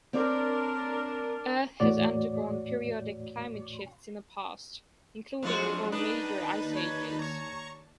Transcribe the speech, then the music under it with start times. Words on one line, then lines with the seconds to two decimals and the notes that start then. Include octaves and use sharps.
Earth has undergone periodic climate shifts in the past, including four major ice ages.
0.13 C4 D4 A#4 C#5 D5
1.80 E2 A2 F#4 C#5 D5
5.43 F2 F#3 G#3 D4 F4 F#4 G#4
5.92 D4 D#4 B4 G5 A5 A#5 D#6
6.35 D#2 A5
6.76 C#5
7.19 C#5 A#5 C#6